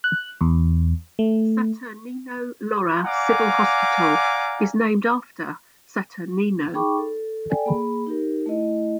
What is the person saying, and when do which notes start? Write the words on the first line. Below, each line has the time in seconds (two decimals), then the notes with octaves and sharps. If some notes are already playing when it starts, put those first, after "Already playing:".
Saturnino Lora Civil Hospital is named after Saturnino.
0.04 F#6
0.41 E2
1.19 A3
3.05 D5 F5 F#5 G#5 A#5 D6
6.74 D#4 G#4 G5 B5 C#6 D6
6.98 A4
7.50 A4 D5 G5 G#5
7.66 A#3 G#4 B5
8.06 D#4 G4 A#4
8.46 A3 E4 D#5